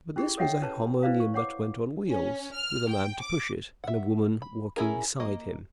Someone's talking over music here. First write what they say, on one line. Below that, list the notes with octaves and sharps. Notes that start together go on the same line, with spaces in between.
But this was a harmonium that went on wheels, with a man to push it, and a woman walking beside him.
C#4 E4 G4 G#4
A4 C#5 D#5 E5 F#5 G5
C#4 B4 C#5 A5 A#5
E4 B4 C5 D5 F5 A#5
C#6
C#5 F#5 D6
C#4
F6
G5
D6
E5 F#5
B5
C#4 E4 G#4 A#4
A#3 D#5